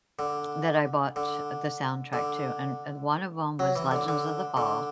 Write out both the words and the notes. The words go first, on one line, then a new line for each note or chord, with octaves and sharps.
that I bought the soundtrack to, and and one of 'em was Legends of the Fall.
D3
D3
D3
F#3
E3
D3
D3
D3